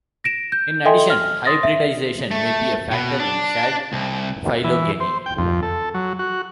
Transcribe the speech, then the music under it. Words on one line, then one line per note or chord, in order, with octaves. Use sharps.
In addition, hybridization may be a factor in shad phylogeny.
A#6 D7 E7
G6
A4 D#5 E5 G5 G#5 C6
F6
C6 D#6 A6 A#6
E5
A3
B2
D4
C2
E3
C5
G5
F2
A4
F#3
F#4